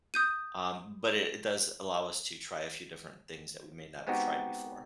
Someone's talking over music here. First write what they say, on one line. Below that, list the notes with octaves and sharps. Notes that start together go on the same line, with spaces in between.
Um, but it it does allow us to try a few different things that we may not have tried before.
D#6 G6 D#7
G#3 B3 C4 D#4 F#4 G4